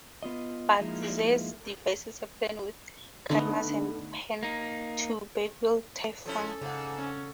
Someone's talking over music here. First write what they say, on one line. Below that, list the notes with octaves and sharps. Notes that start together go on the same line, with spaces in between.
But Zeus devises a plan with Cadmus and Pan to beguile Typhon.
B3 F4 D#5
F3 G#3 A#3 D#4 E4
D3 A3 B3 D#4
A#3 D#4
F3 C#4 E4 A4
G#2 C#3 F5 F#5
C#4